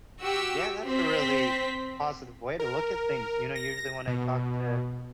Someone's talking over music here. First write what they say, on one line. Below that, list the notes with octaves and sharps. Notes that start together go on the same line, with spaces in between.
Yeah, that's a really positive way to look at things. You know, usually when I talk to
F#4 G4 E6
C4 B6
A#4
A#6
B2